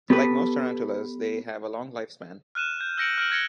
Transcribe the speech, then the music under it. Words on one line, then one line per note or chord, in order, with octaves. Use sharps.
Like most tarantulas, they have a long lifespan.
B3 G4 A4 B4
F6 F#6 D#7 E7
G6
E6 G6 A#6 C#7 D7 F#7
F6 G6 D7 F#7
F#6 G#6 A#6 C#7 G7